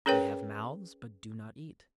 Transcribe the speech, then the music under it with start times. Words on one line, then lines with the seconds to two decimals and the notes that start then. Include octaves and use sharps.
They have mouths, but do not eat.
0.06 C#4 G#4 A#4 B4 C#5 G5